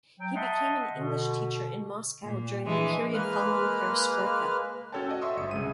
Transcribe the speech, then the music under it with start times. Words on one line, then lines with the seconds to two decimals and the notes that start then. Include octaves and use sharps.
He became an English teacher in Moscow during the period following perestroika.
0.20 F#3 G5
0.35 D#5 E5 F#5 A5 C6
0.93 B2 D3
2.24 A#2
2.65 E3 G#3 D4
3.14 G#3 A#3 B4 F6
4.92 C#4 F#4 A4 C#5 G5 A5
5.09 F#4 D5 D#5
5.21 E5 C6 C#6 D#6 E6
5.37 G1 E5 C#7
5.51 C2 C#3 G#3 D#7